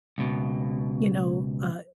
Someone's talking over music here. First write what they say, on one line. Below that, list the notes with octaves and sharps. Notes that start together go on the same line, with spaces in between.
You know, uh,
C#2 B2